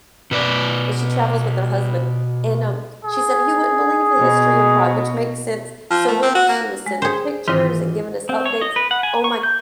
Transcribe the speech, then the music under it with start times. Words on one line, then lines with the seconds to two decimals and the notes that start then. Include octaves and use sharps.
and she travels with her husband, and, um, she said, "You wouldn't believe the history in Prague," which makes sense. So when she was sending pictures and giving us updates, oh my
0.31 B2 B4 D5
3.05 G#4
4.18 B2
5.91 F3
6.08 A3
6.23 C4
6.35 F#4
6.49 A#3
6.86 G#3
7.02 G#4 C5
7.48 G#2 D#3 E3 F4 D#5
8.29 C4
8.45 C#5
8.61 D#5
8.76 B4
8.91 F#5
9.03 G#5
9.24 C#6
9.43 G6